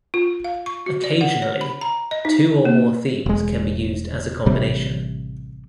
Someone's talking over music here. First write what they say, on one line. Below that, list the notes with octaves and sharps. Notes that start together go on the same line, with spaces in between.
Occasionally, two or more themes can be used as a combination.
F4
F5
C#6
F#4
D5
F#5
C#5
B5
A#5
D#5
D#4
A#3
E1 G#3
A1 C3 G3